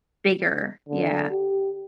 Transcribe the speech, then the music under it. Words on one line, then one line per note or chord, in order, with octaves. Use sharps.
bigger, yeah.
D3
G4